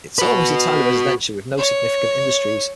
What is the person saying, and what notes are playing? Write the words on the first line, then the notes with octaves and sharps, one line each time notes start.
It is almost entirely residential, with no significant industries.
F#4 B4
C#5